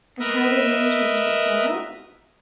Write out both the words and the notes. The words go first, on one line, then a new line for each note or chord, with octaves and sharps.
And how did men change the soil?
A#4 B4 D#5 E5